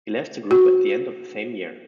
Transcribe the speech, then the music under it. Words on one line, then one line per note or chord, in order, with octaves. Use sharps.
He left the group at the end of the same year.
F#4